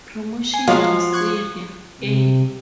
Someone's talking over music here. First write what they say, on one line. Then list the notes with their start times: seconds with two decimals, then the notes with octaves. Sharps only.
Promotion to Seria A.
0.52 G#5 C7
0.67 F3 F#3 G#3 F5
1.13 C#6 F#6 G#6
2.01 C3